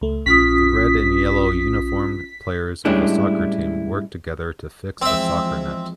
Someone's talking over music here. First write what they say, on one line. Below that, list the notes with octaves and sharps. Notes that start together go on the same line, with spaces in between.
The red and yellow uniformed players of a soccer team work together to fix a soccer net.
C#2 A3
A#1 C#4 F4 D#6 B6
A2 G3 G#3 C#4 D4 E4
E2 F3 G#3 C4 E5